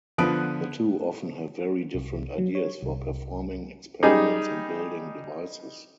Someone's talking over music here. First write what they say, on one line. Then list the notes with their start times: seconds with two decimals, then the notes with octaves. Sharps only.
The two often have very different ideas for performing experiments and building devices.
0.18 D3 F3 B3 B4 D#6 D7
1.94 C2
2.38 F#3
2.55 C#5
2.83 C2
4.03 G3 D#4 G#4